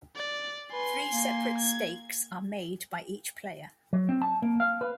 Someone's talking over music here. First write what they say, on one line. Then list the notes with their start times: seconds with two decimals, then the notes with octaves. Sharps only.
Three separate stakes are made by each player.
0.16 D5
0.73 B4 G#5 C6
1.13 A#3
1.58 G#6
3.93 F#3
4.09 C4
4.22 A5
4.42 A#3
4.60 F5
4.81 B4